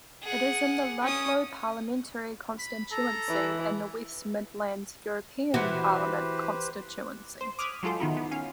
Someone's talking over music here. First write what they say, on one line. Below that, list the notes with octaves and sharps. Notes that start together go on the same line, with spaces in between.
It is in the Ludlow parliamentary constituency and the West Midlands European parliament constituency.
G#4 F#5
C#4 D#6
B5
A4 A#5
E3
E3 F#4 G4 B4 C5
C5
D6 D#6 F6 F#6 G#6 B6
F#3 G#3 F4 A4 C5
D#3 B3 D#4 E4
B3
C#4 F5